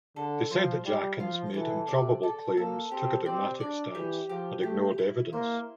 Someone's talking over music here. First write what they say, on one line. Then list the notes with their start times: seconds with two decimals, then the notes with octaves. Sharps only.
They said that Jackins made improbable claims, took a dogmatic stance and ignored evidence.
0.16 D3 A4
0.51 F3 C5
0.85 G3 F4
1.19 F3 F4
1.54 E3 A4
1.88 C3 D5
2.23 A4
2.57 A#3 A4
2.91 C4 G4
3.25 C4 D5
3.60 D4 D5
3.95 E3 G4
4.29 F3 G4
4.63 A3 G4
4.98 E4
5.33 A#3 C5